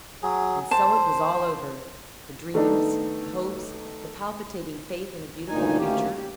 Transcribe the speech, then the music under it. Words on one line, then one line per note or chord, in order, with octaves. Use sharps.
And so it was all over--the dreams, the hopes, the palpitating faith in a beautiful future.
F#3 G#4
C5 A5
D#3 A3 B3 D4 D#4
D2 G2 A#2 D#3 D#4 G#5
D2 D#3 A#3 C#4 G4
G4